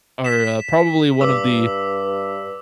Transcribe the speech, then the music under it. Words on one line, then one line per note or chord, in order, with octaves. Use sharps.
are, uh, probably one of the
B6 E7
G2 D6 E6